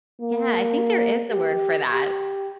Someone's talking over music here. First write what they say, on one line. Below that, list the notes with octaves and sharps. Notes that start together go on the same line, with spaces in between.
Yeah. I think there is a word for that.
A#3
G4
G4